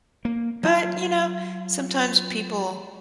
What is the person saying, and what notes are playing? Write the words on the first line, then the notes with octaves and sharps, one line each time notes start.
But you know, sometimes people
A#3
F#3 F4 A5